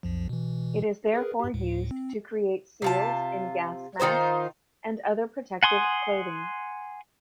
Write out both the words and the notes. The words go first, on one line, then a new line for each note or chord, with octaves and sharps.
It is therefore used to create seals in gas masks and other protective clothing.
B1 F2 F3
B2 E3
G#4 A#4 B4
G2 G4
D2 A2
C4
C3 F4 A5
D#3 D#4 F4 C5
F#5 G#5 C6 D#6